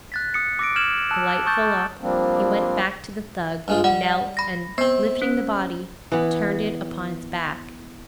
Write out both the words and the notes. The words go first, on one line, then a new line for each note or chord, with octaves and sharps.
The light full up, he went back to the thug, knelt and, lifting the body, turned it upon its back.
F#6 A6 B6
D#6 C#7
D6 E6 A#6 C#7 D7
F6 G#6 E7 F#7
A5 E6 F#6
A5 C#6 D#6 G6 A6
F3 G3 A#3 C4 D4
G2 G#3 F4
G3 F#5
B5 A#6
B3 C4 C5
C#4
E3 B3